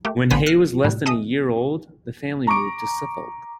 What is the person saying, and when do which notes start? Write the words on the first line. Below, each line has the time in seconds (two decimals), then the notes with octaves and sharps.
When Hay was less than a year old the family moved to Suffolk.
0.05 A3 A#3 G4
0.30 A1 D3 B3 C5 G#5 B6
0.46 F6 F#6 A#6 C7
0.84 A2 C3 G3
1.06 G#4 A4 D#5 E5 D#6
2.47 A#5 C#6 D6 D7